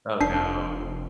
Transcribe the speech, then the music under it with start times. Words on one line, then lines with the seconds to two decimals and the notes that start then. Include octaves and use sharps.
Oh, no.
0.21 F1 D4 C7